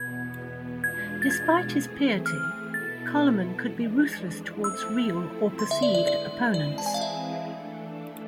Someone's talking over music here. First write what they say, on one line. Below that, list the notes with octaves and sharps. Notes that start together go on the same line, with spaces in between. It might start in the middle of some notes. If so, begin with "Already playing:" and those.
Despite his piety, Carloman could be ruthless towards real or perceived opponents.
Already playing: E2 B2 B3 G#6
E2 B2 G#3 D4 F4 G#6
A6
G#6
E3 A3 C4 G#4
F6
B2 B3 E4 A4 A6
F2 E3 G#3 D4
F3 A3 C4 E4 A4 E6
D3 G#3 B3 E4 C6
E5
D5
D5
D5
E3 G#3 C4 E4 G#4 D5
A5
G#5
F5
E5
E3 A3 D4 A4